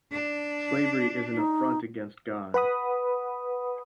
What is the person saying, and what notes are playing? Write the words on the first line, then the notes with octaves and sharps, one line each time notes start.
Slavery is an affront against God.
D4
D#4
B4 F#5 B5 D#6